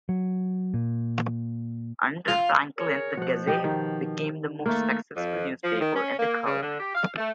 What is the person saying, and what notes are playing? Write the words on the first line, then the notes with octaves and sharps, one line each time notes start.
Under Franklin The Gazette became the most successful newspaper in the colonies.
F#3
A#2
F4
G#4 A#4 C#5
B2 F3 F#4 F#5
G4 D#5
D#3
A3 A#3
F2
F3
D#3
C#4
A#3
C#3
D3
G4
F5
A3